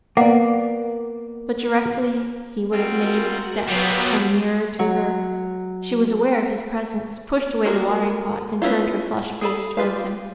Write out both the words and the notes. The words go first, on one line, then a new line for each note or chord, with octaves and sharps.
But, directly he would have made a step to come nearer to her, she was aware of his presence, pushed away the watering pot, and turned her flushed face towards him.
A#3 B3 D5 F5 F#5 D6
G3 C4 F4 F#4 A#4 F#5
F#3 G3 B3 F4 B5
F#3
G#3 A#3 F#4 A4 A#4
B3 C#4 E4 F4
G#4 A4 B5
G3 F4 B4 F5